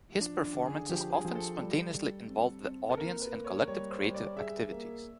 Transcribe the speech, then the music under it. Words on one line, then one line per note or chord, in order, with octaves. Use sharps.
His performances often spontaneously involved the audience in collective creative activities.
F3 D4
D4
D3
G#4
F3 G4
G#4
F3
A4
G3
G3
C4
C4
A4
A#3 A#4
B4
A#3
C#5
G3 C#5
C5
G3
D5
G#4 E5
A#3